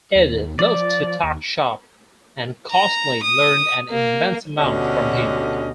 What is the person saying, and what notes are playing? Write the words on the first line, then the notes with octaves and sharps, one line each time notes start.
Ed loved to "talk shop" and Kosslyn learned an immense amount from him.
D#2
F3 D5
D#2
A#5
D#6
A#3
D2 B2 D3 C#4 G4 D#5